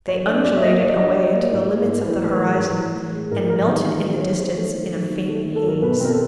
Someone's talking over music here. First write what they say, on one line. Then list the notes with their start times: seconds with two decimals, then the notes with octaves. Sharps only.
They undulated away to the limits of the horizon, and melted in the distance in a faint haze.
0.08 F#3 C#5
0.26 D4 D5
0.44 F#3 D5
0.57 E5
0.62 A#3 D#5
0.80 F#3 D5
0.98 D4 D#5
1.16 F#3
1.34 A#3
1.51 A2 D5
1.70 G#3
1.88 A2
2.01 B4
2.06 E3 C5
2.24 A2 B4
2.42 G#3 A#4
2.59 A2
2.78 E3
2.96 A2
3.13 G#3
3.31 A2 A#4
3.50 E3 A#4
3.67 D#3
3.86 A3
4.03 D#3
4.14 C5
4.21 F#3 C#5
4.40 D#3
4.48 C5
4.57 A3
4.75 D#3
4.93 F#3
5.10 D#3
5.29 A3
5.46 D#3
5.56 A4
5.65 F#3 A#4
5.82 B2 B4
6.00 C4 A#4
6.09 A4